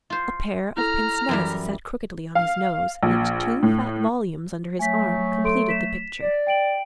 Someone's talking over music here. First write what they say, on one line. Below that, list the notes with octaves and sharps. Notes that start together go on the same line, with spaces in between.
A pair of pince-nez sat crookedly on his nose and two fat volumes under his arm completed the picture.
F4 C5
E4 A4 A#5 F6
F#2 E3 G3
F5
A#1
A2
F#3 A3 G#5 B6
A4 C6 D7
B6 E7
D5
G5 D7 F#7